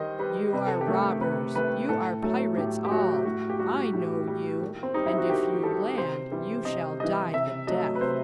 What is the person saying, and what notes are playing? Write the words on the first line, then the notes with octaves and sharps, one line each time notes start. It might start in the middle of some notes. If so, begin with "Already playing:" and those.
"You are robbers, you are pirates all; I know you; and if you land, you shall die the death."
Already playing: D#3 G3 C5 D#5
G3 B4
C3 B4
A4
G4
D#3 A3
A4
C3 B4
D#3 A3 B4
A2 A4
F#3 A3 A4
A2 G4
G4
F#3 A3 F#4
A2 F#4
G4
G3 F#4
A2
G3
D#3
C4
G3 D#4
E4
F#4
D#3 G4
G3 A4
C3 C5
E3 G3
C3 D#5
E3 G3 D#5
C3 E5
F#3 A3 D#5
B4
C3 C5